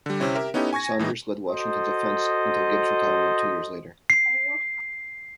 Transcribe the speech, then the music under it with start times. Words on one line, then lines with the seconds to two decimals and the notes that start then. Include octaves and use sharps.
Saunders led Washington's offense until Gibbs retirement two years later.
0.06 D3 G3
0.20 C3 C4 C#4 E4
0.35 G4 A#4 E5
0.54 B3 C#4 D#4 E4 G4 A4
0.73 G#5 C#6 G#6 A#6
0.99 A2 E3 G#3 D#4
1.49 F#4 A4 C5 D#5
4.10 C7